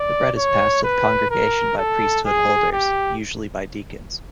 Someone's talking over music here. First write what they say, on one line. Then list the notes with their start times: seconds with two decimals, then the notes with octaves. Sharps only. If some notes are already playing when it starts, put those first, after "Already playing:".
The bread is passed to the congregation by priesthood holders, usually by deacons.
Already playing: D5
0.37 C#5
0.84 B4
1.31 A#4
1.78 A4
2.26 G#4
2.72 G4